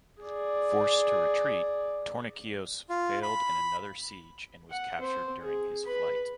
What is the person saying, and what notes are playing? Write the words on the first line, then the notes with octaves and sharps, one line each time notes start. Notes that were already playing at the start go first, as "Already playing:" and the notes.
Forced to retreat, Tornikios failed in another siege and was captured during his flight.
G#4 D5
F4
B5
F#5
C4 C5
G#4
B4 B5